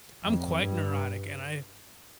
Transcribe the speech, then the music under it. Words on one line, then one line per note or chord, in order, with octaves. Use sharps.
I'm quite neurotic, and I
F2
G2